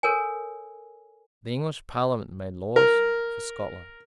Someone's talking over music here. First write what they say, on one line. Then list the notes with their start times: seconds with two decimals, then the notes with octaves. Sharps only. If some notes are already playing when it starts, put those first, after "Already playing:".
The English Parliament made laws for Scotland.
0.03 A4 A#4 C#5 G#5
2.76 A#4